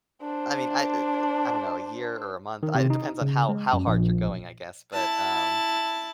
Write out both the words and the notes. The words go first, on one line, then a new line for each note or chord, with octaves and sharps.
I mean, I, eh, the I don't know, a year or a month. I it depends on how how hard you're going, I guess, but, um,
D4 C5
D#3
C3
D#4
C#3
G#3
F#2
A#1
E4 A5